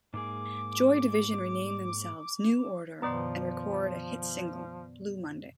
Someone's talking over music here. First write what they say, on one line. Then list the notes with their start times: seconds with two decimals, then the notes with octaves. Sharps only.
Joy Division rename themselves New Order and record a hit single, "Blue Monday".
0.13 G#2 A#3 G#4 D6
3.02 F#2 B2 D#3 F3 B3 D5 C6